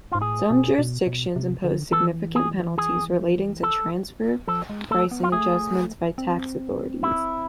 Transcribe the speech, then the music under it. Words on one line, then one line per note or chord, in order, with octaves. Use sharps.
Some jurisdictions impose significant penalties relating to transfer pricing adjustments by tax authorities.
G#2 F4
A2 G#4
B2
B2
B2
C3
D3
E3 A4
G#4
G#4
A4
F3 A4
G#3
A3 A4
B3
F4
A3 G#4
C4
E4